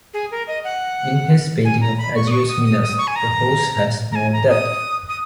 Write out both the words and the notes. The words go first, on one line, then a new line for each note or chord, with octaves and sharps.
In his painting of Agios Minas the horse has more depth.
G#4
A#4
D#5
F#5
G#5
A#5
B5
C#6
D#6
C#6
D#6
D#6
D#6
C#6
G#5
A#5
A#5
G#5
A#5
D#6
D#6